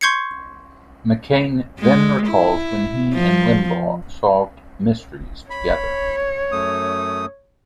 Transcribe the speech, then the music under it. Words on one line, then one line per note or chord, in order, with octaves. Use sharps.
McCain then recalls when he and Limbaugh solved mysteries together.
C6 C#6 G6 G#6 C7 C#7
G#3
E4
F3
C#5 B5
F#2 A3 D#6